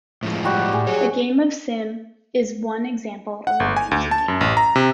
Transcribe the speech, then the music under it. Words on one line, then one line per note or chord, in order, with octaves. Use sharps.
The game of Sim is one example of a Ramsey game.
A2 F3 G#3
G3 F#4 G4
A2 G#4
F#3 C#5
F#5
G1
G#5
D2
A5
F#2
A1
A#5
C3